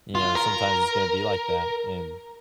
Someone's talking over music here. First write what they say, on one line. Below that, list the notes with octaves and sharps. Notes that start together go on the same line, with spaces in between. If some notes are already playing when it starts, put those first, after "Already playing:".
you know, sometimes it's gonna be like that and
F4
A#4